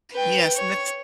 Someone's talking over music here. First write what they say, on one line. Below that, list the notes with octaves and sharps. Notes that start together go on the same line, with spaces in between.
Yes, and that's
B4 G5
C#5